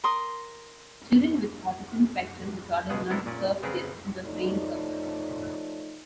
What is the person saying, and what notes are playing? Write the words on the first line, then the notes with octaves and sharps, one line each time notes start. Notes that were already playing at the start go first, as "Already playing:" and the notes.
Children with autism spectrum disorders learn to surf with the assistance of trained surfers.
A#4 C6 D#6
C#2 B2 G#3 B3 G#4 F#5
C3 B3 D4 E4 A4 A#4
A#2 C#4 D5
C#3 B3 C4 G#4 A#4 B4
F3 A3 D#4 C#5 D5